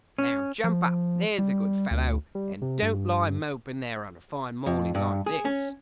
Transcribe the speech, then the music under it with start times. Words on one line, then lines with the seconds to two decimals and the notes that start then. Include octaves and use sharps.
Now jump up, there's a good fellow, and don't lie moping there on a fine morning like this!'
0.18 C#4
0.64 F3
1.39 G3
1.91 D2
2.35 G3
2.62 C3
2.82 G2
4.66 F2
4.95 G2
5.26 G#4
5.45 C#4